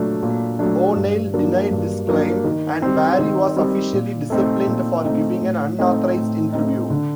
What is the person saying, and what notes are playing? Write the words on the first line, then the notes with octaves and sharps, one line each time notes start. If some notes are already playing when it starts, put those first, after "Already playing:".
O'Neill denied this claim and Barry was officially disciplined for giving an unauthorised interview.
Already playing: A#2 F#3 A3 D4
A#2
F#3 A3 D4
G2
F#3 A#3 D4
G2
F#3 A#3 D4
D#3
G3 C4
D#3
G3 C4
A#2
A3 C4 D#4
A#2
A3 C4 D#4
A2
A3 C4 D#4
A2
A3 C4 D#4
D3